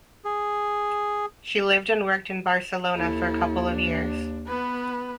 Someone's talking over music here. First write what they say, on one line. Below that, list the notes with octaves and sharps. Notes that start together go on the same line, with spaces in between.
She lived and worked in Barcelona for couple of years.
G#4
D#2 E4 A4
D4
B3 B4